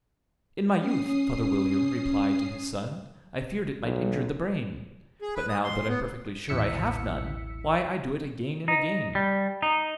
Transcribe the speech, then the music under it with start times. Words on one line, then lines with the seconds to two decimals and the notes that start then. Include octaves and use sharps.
'In my youth,' Father William replied to his son, 'I feared it might injure the brain; But, now that I'm perfectly sure I have none, Why, I do it again and again.'
0.78 C#4 D#6 C7
3.83 B1
5.22 G#4
5.35 B4
5.49 D#6
5.64 C6
5.88 B3
6.49 A1 D#2 E4 E6 B6 C#7
8.68 D#4
9.15 G3
9.62 D#4